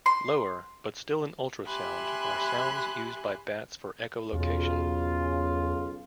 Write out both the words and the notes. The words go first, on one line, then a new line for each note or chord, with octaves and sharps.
Lower, but still in ultrasound, are sounds used by bats for echolocation.
C6
G4 E5 G#5 B5 C6 F#6
B1 E2 C#3 F4